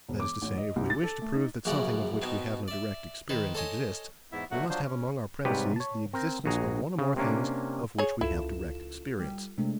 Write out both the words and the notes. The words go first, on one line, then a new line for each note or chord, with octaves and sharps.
That is to say, if we wish to prove that something of which we have no direct experience exists, we must have among our premisses the existence of one or more things of which we have direct experience.
E1
D6
A1
D#5
C2
A6
A4
A3
D#4
A#1 F#2 C#3 A#4 D5 F#5
B2 C4 D#4
D5 E5
D#3 B4 C5
A4 C5 C#5 D#5 G#5
E2 G#2 B3 E4 E5
B2 D3 F#3 A3 F#4 F#5
F3 F#3 D4 C5
C#4
G#2 C3 G3 G4 B4 C#5
C#5 A5
C4 A#4
A#1 F#4 G#4 A#5
C#3
C3 A#3 C#4 D4
G#4 C#5
C#2 E4 F4 A4 E7
G3
C3 G#3 A3 D4